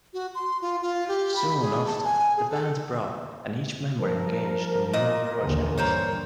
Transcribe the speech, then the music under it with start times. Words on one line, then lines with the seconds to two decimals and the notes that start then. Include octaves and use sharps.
Soon after, the band broke, and each member engaged in new projects.
0.13 F#4
0.35 C6
0.62 F4
0.82 F4
1.08 G4
1.36 B5
1.61 G#4
1.86 A5
2.04 G#5
2.37 G#4
2.50 A4
3.98 F3 A#4
4.93 A#2 D#5
5.44 A#1 D#2 D3 E3
5.77 G2 A#3 C5 C#5